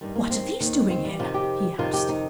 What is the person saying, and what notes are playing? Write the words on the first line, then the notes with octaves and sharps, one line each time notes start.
"What are these doing here?" he asked.
G2 D#3 G3
A#3
C4
D#2 D#3
C4
G3
F2 C3 D#3 F4
G4
F2 C3 D#3 F4
G4
D#4